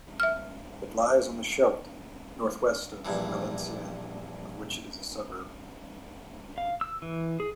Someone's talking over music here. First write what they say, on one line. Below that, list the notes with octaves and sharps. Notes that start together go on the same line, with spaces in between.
It lies on the Scheldt, northwest of Valenciennes, of which it is a suburb.
E5 F6
A#1 G2 E3
F5
E6
E3
G#4